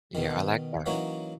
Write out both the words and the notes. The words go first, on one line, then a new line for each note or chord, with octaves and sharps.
Yeah, I like that.
B2 D#3
E3 F#3 A#3 C#4 D#4 F#4